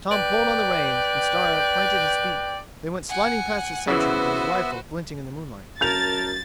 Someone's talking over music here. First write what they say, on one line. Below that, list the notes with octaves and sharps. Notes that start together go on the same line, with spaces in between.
Tom pulled on the reins and Star planted his feet; they went sliding past the Sentry with his rifle glinting in the moonlight.
B4 D5 G5
F#5 G#5
C#3 E3 B3 F#4 B4 C5 E5
F#2 A#4 A5 G6 A6 F7